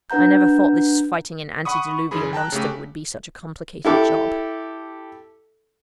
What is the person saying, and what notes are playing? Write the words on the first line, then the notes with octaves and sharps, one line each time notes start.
I never thought this fighting an antediluvian monster would be such a complicated job.
D4 B4 F#5 A#5 G6
F#5 B5 C#6 D#6
F#2 E3 G#4 B5
G5 A5 A#5 F#6
C#3 A3 G4
E4 G4 A4 D6